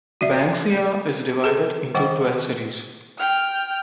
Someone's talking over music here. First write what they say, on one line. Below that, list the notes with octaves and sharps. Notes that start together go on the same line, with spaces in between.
"Banksia" is divided into twelve series.
F#4 D5 E5
G#4 A4 B4
D#3 G3 F#5 G5 D6
G5 F6